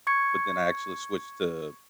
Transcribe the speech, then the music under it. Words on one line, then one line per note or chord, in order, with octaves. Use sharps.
but then I actually switched to,
C#6 G#6 C#7